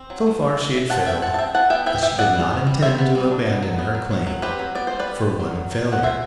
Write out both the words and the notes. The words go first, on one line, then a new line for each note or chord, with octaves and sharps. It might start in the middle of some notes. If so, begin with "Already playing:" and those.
So far she had failed, but she did not intend to abandon her claim for one failure.
Already playing: C4
F#3
E3
G3
E3
E3
C4 F#5 A5
C4 E5 G5
C4 F#5 A5
A5
C4 E5 G5
E3 F#5 A5
B3 E5 G5
E3 E5 G5
E3 E5 G5
D4 D5 F#5
G3
B3
G3
G3 C5 E5
B3
G3
D4
B3
F#3
B3
F#3
F#3
F#3
C4 G4 B4
F#3
B3 D5
G3 C5
B4 D5
G3
G3
F#3
F#3
F#3
F#3 F#5
E3 C5 E5